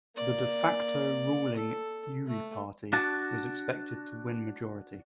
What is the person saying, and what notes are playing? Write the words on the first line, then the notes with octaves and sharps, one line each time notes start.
The "de facto" ruling Uri Party was expected to win majority.
A#3 D5
A4
A3
D4 F#4 A5